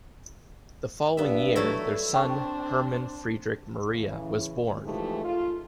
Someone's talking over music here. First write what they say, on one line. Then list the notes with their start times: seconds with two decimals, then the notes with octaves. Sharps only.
The following year, their son Hermann Friedrich Maria was born.
1.17 G2 B3 E5
1.56 F#3 A3 E4
2.14 C4 D4 G5 C#6
3.89 A2 C#3 E3
4.83 E3 F3 G#3 A3 D#4 G4
5.23 F4